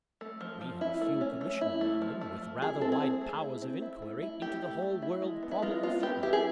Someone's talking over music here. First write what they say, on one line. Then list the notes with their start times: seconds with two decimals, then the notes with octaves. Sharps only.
We have a Fuel Commission in London with rather wide powers of enquiry into the whole world problem of fuel.
0.21 A3
0.41 F3
0.61 F3
0.81 E4
1.01 A3
1.21 C#4
1.41 A3
1.61 E4
1.81 A3
2.02 F3
2.21 A3
2.42 F3
2.62 E4 G#4
2.81 C4 A4
2.92 G#4
3.02 C4
3.21 A3
3.42 E4
3.62 C4
3.82 E4
4.02 A3
4.22 E4
4.42 A3 G4
4.62 A3
4.82 A3
5.02 E4
5.22 G#3
5.43 B3
5.51 E4
5.62 G#3 F4
5.83 B3 F4
6.03 B3 G4
6.23 E4 G4
6.33 G#4